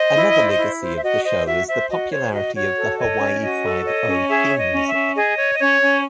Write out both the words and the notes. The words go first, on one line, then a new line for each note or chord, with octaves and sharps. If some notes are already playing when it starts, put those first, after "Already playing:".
Another legacy of the show is the popularity of the "Hawaii Five-O" theme music.
Already playing: C5 D#5
E4
C5
E4
C5
E5
F#4 D#5
C5 D#5
F#4 E5
C5 E5
F#4 D#5
C5 C#5
F#4 D#5
F#4 C#5
A4
C#5 D#5
C#4
F#4 D#5
A4
C#5 D#5
C#4
G#4 E5
C#5
D#5
C#4
E5
C#4
G#4 D#5
C#5
D#5
C#4 C#5
C#4